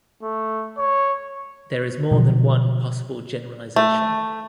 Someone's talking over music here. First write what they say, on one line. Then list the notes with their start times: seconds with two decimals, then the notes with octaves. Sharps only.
There is more than one possible generalization.
0.23 A3
0.77 C#5
2.11 B2 D3 F3 F#3
3.76 A3